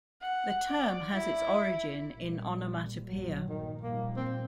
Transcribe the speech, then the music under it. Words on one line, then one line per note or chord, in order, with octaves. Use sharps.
The term has its origin in onomatopoeia.
F#5
D5
E4
A#2 G3
A#1 G2 A#2 F#3
D#3
A#2 F3 G3 A#3
C4